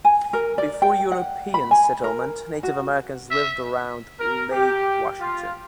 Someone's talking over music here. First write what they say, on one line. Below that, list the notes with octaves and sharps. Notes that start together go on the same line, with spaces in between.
Before European settlement, Native Americans lived around Lake Washington.
G#5
A#4
D5
G5
F#5
B5
G#5
A#4
F#4
E5
A#4
G4
F4